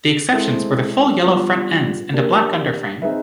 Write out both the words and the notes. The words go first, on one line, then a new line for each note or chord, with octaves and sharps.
The exceptions were the full yellow front ends and a black underframe.
G#3 C4 E4 A4 C5
G3 B3 D4 F4
A#3 D4 G4 A#4
C4 D#4 G#4 B4 E5